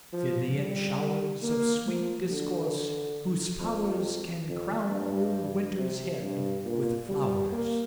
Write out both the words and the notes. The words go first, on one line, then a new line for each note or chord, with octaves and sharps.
Sydneian showers Of sweet discourse, whose powers Can crown old Winter's head with flowers.
F3
G3
A#3
F3
D3
F2
F2
G2
C3
G2
A#2
G3
A#3